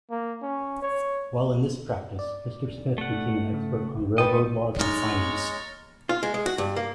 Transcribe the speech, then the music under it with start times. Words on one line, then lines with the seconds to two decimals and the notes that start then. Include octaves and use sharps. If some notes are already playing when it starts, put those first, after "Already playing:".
While in this practice, Mr. Smith became an expert on railroad law and finance.
0.11 A#3
0.42 C#4
0.82 C#5
2.19 D5
2.98 A3 F#5
3.54 C#3
4.18 A3 A4 B4 D#5 G5
4.79 G#3 D#4 C#5 A#5 F6 A6
6.09 F4
6.23 G#3
6.34 G#3
6.46 F#4
6.58 G2
6.76 A#3